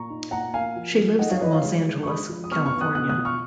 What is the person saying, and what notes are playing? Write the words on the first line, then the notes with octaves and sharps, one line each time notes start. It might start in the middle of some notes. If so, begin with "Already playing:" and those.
She lives in Los Angeles, California.
Already playing: A#2 A#5 C#6
D#4
A#2 F#5 A#5
A#3 F5 G#5
F3
F3
D#4 D#5 F#5
C#5 F5
F3 B4 D#5
C#5 F5
G#3
G#3
C#6
G#3 B5 D#6
F3
D#6
B3 C#6 F6
C#6 F6
B3
D#6 F#6
B2 D#6 F#6
D#6 F#6
F4
C#6 F6